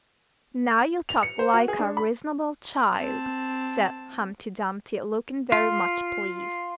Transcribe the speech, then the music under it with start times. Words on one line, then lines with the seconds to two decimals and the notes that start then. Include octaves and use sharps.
'Now you talk like a reasonable child,' said Humpty Dumpty, looking very much pleased.
1.09 F7
1.23 C#7
1.39 C5
1.53 F#4
1.68 G#4
1.79 D4
1.97 B5
2.96 C4 A5
5.52 F4